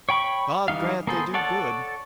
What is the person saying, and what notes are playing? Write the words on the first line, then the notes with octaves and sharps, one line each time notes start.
God grant they do good!
C#5 G5 B5 C#6
E3 G3 D#4 F5
A#3 B3 G#4 A4 C5
A4 C#5 D5 F#5 A5